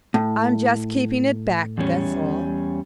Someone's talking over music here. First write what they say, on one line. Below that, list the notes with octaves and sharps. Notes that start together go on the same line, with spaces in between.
"I'm just keeping it back, that's all."
A2
E2 G3 C#4